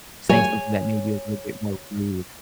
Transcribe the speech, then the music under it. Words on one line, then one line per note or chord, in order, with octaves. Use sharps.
saying something that may be a little bit more rude
C#5 G#5